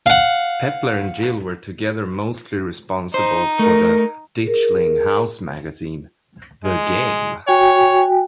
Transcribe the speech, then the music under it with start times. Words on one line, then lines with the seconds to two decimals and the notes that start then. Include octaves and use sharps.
Pepler and Gill were together mostly responsible for the Ditchling house magazine, "The Game".
0.06 F5 F#5
3.14 D#4 C5
3.59 A3 A#4
4.43 G#4 A#4
6.65 G#3
7.47 F#4 C#5 G5 G#5